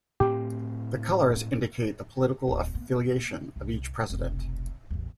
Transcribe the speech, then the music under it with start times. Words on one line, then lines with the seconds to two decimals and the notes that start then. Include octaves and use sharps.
The colors indicate the political affiliation of each President.
0.20 A2 C4 G4
2.48 D1 F4
2.75 A#3 B3
3.56 C2
4.10 F1 B1
4.91 A1 E2